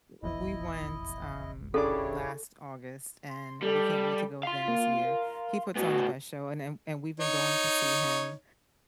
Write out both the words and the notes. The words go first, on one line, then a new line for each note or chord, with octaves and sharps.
We went, um, last August, and we can't wait to go again this year. He puts on the best show, and and and we've been going to see him,
F1 A#1 E2 E4 D#5
C#3 D4 E4 G4 A4 C#5 D6
C6
G3 A4
F5 C6 B6
A#3
A#4
A2 B3 F#4
D#4 C#5